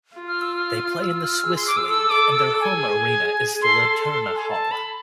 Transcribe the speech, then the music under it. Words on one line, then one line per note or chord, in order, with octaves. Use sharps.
They play in the Swiss League and their home arena is the Litterna Hall.
F4
F6
E6
F6
E6
F6
G#4 E6
C6
D6
E6
A4 E6
D6
E6
G#5
G#4
A4 C6
C6
C6
G#5
A5
B5